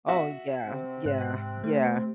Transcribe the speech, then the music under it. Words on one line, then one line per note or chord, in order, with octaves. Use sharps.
Oh, yeah, yeah, yeah.
F#4 E5
C3 C4
G#2 F#6
A3